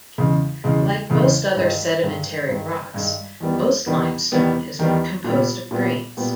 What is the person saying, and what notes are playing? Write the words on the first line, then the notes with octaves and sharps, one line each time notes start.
Like most other sedimentary rocks, most limestone is composed of grains.
E2 C#3 G#3
E2 C#3 G#3
E2 C#3 G#3
G2 D#3 G#3
G2 D#3 G#3
G2 D#3 G#3
G2 D#3 G#3
E2 D#3 G3 B3
E2 D#3 G3 B3
E2 D#3 G3 B3
E2 D#3 G3 B3
A#2 G3 B3
A#2 G3 B3
A#2 G3 B3